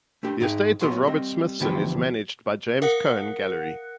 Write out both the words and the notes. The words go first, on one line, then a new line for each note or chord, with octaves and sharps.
The Estate of Robert Smithson is managed by James Cohan Gallery.
A3 D4 G4
G#2 D#4 G#4 G5
B1 B2 F#3 C6
G3 C4 D#5
D2 B2 E3 F3 D4 G4
A#4 F5 F#5 F#6 C#7